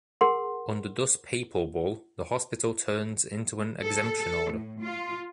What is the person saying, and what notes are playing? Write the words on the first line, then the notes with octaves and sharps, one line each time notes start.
Under thus papal bull, the Hospital turns into an exemption Order.
G#4 A#4 F#5 C6
A4
A4
A2
F4